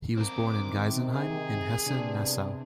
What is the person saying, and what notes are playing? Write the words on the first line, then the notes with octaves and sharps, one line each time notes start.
He was born in Geisenheim in Hesse-Nassau.
C4 A#4 D6
C3 D#3
G#4
C3 G3 B3 D4